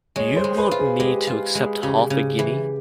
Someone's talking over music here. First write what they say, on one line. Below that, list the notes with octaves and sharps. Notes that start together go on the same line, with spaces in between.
You want me to accept half a guinea?
G#3 C#5
C5
G#3
B4
F4
G#4
G#3 G4
F4
G#3
C#3 G4
C#3
E3